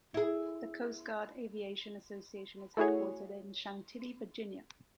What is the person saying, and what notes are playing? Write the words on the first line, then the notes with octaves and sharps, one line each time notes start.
The Coast Guard Aviation Association is headquartered in Chantilly, Virginia.
E4 G#4
A3 E4 F#4 G#4 C#5